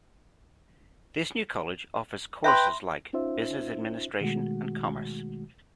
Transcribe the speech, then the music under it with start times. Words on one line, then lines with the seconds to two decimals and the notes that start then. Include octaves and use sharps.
This new college offers courses like Business Administration and Commerce.
2.44 B4 E5 G5 B5 C6
3.13 C#4 D#4 F4 C5 E5
4.21 B2 D#3 G#3 A3 F#4